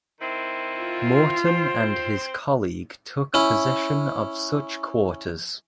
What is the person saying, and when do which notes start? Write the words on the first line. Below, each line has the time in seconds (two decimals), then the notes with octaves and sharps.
Morton and his colleague took possession of such quarters.
0.20 D#3 C4 E4
0.79 F4
1.45 C4 C5
3.34 C#4 E4